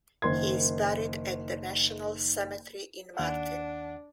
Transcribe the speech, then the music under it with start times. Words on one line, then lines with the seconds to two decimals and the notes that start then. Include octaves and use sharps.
He is buried at the National Cemetery in Martin.
0.22 F#1 D#3 C6 G#6
3.17 D#2 D4 F#5